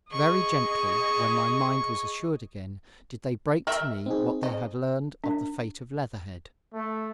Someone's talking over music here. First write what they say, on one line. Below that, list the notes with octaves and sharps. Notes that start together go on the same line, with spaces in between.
Very gently, when my mind was assured again, did they break to me what they had learned of the fate of Leatherhead.
G#4 D#5 C#6
A#4 D#5 E5
C4 D#4 G#4
D#5
D4
A3